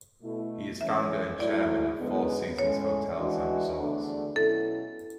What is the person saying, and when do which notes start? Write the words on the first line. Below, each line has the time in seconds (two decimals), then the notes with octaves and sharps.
He is founder and chairman of Four Seasons Hotels and Resorts.
0.22 B2 A3 E4
0.81 E3 G#3 C#4 E5
1.40 G#2 F#3 A3 E4 D5
2.00 F#2 D3 G#3 B3
2.59 A2 G#3 C#4 C#5
3.19 E3 G#3 D4 F#4
3.77 E2 D3 A3 D4
4.36 B2 F#3 C#4 E4 A4